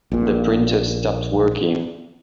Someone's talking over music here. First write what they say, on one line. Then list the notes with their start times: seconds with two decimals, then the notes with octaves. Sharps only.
The printer stopped working.
0.12 A#1 A#2